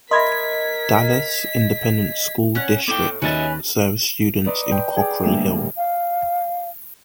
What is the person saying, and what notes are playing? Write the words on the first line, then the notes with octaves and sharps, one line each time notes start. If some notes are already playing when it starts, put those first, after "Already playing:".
Dallas Independent School District serves students in Cockrell Hill.
A#4 D#5 E5 B5 C6 G#6 B6
C#4 F#5
A2 B3 E4 G5 D6
D#2 C#4 F#4 B4 D#5 E5 A6
B4 D5 D#5 A#5 C6 C#6
B4 D5 G5 C6
G#4 G5 D6
D2 D3 G3 A#3
F5